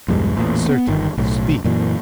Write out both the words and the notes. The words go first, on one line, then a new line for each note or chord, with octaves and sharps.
"Certainly, speak."
B1 E2 G2 G#3
A1 E2 A#2
B3
G1 D#3
B1 A2
F#2 A#2 E3